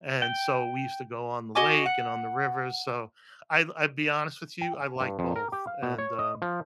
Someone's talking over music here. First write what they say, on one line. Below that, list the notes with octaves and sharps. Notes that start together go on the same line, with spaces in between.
and so we used to go on the lake and on the river, so I I'll be honest with you, I like both, and, um
G5
F#4 D#5 G#5 D6
F#5
G5
G#5
G2
F2
A#4
G4
F5
B2
C#5
D#5
F3